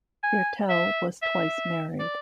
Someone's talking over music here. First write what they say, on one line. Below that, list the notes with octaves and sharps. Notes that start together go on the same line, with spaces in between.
Viertel was twice married.
G#5
E5
E5
D5